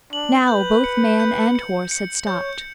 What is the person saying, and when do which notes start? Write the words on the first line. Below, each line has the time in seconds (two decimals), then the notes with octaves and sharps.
Now both man and horse had stopped.
0.13 D4 F#7
0.48 B4 G6
0.84 C#7
1.20 G6
1.55 C#7
1.91 C#7
2.26 C#5 G6